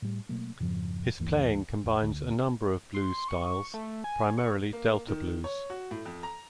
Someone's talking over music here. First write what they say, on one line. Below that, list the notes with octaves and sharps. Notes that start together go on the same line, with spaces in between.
His playing combines a number of blues styles, primarily Delta blues.
A2 G3
B2 F#3 A3 A#3
F2 G#2 C#3 F3
D2 G2 E3 A#3
E1
D2
C6
C#6
A3
G#5
C#6
A#3
D#3
C#5
F#4
A2
F2
A#5